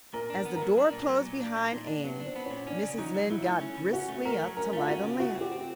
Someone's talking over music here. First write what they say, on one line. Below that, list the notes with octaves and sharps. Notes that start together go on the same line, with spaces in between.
As the door closed behind Anne Mrs. Lynde got briskly up to light a lamp.
A#2 A#4
D4 A#4
B3
A#4
F#3
D4
A#2
F#3
A#2
D4
A#2
A#2 D#4
D4
F#3 B3
C4 D4
B3
A#2 C#4
C#4 D4
C#3
F#3 D#4
F#3
F#3 E4
A3
C#4
C#3
C#4 F#4
A3
A3 A#4
F#3
C#4 A#4
A3 F4
C#4 F#4
C#3
A3 F#4
C4
G4
C4